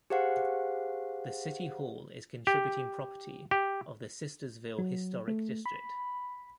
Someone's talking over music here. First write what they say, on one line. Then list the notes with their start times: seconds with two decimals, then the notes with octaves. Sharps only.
The City Hall is contributing property of the Sistersville Historic District.
0.10 G4 G#4 C5 F5 F#5
2.47 G4
3.51 G4
4.78 F#3
5.28 A3
5.66 B5